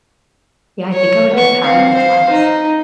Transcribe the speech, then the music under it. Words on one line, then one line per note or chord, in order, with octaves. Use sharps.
yeah, I think I would get panic attacks.
C#5
B3 C#6
C4 F5
C5 F5
D#4